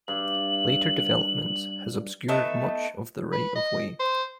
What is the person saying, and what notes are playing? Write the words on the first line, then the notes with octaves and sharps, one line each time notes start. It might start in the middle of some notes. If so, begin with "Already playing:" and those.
Later development has obscured much of the right of way.
G2 F#7
A3 B3 D#4 E5
B4
D#5
C5